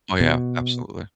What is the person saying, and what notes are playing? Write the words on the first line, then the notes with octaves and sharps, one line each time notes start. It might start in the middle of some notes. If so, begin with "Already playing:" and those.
Oh yeah, absolutely.
B2